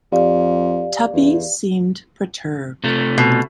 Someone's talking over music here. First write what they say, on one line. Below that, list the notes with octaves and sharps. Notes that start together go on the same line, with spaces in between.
Tuppy seemed perturbed.
F2 G4 D5 F5
E2
C3 A3
B2